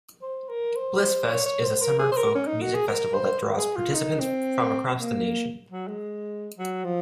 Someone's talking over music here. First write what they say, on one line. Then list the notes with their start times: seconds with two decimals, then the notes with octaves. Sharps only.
Blissfest is a summer folk music festival that draws participants from across the nation.
0.23 C5
0.49 A#4
0.76 C5
1.02 C5
1.29 C#5
1.46 C#5
1.64 C5
1.82 A#4
1.99 G#4
2.12 C5
2.17 A#4
2.35 C#4
2.48 D#4
2.61 F#4
2.74 G#4
2.88 A#4
3.14 C5
3.58 G#4
3.76 F4
3.94 D#4
4.20 C4
4.99 A#3
5.70 F#3
5.88 G#3
6.58 F#3
6.84 F3